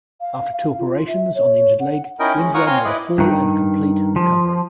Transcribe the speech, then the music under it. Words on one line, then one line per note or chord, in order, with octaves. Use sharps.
After two operations on the injured leg, Winslow made a full and complete recovery.
F5
F5
F4
E5
C#5
F#5
C#4 D#4 E4 A#4 D#5 G5
G#3 C#4
F4 A#4 C#5 F#5 C#6 D#6
C4 C#5 F5 G#5 A#5 C6
E4 B4 D5 D#5
G2 D#3
F3